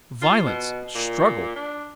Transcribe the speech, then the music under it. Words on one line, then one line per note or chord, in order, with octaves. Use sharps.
"Violence! Struggle!"
F4
B2
A#2
D4